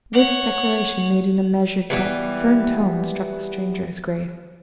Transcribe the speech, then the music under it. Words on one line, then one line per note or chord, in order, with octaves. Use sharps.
This declaration, made in a measured but firm tone, struck the stranger as grave.
C#5 F#5
E3 G3 B3